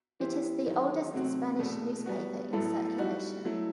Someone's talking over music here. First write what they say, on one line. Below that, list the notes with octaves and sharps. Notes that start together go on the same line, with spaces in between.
It is the oldest Spanish newspaper in circulation.
E3 B3 E4 G4 C5
E2 D#3 F#3 B3 D#4
C3 F#3 A3 C4 F#4
E2 B2 A3
G3 B3 F#4
A2 F#3 B3 E4 A4
G3 D#4 F#4
F#3 A3 E4